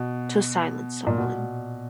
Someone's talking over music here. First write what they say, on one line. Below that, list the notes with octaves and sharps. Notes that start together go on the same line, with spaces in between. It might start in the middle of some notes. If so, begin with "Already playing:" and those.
To silence someone.
Already playing: B2
A#2
B2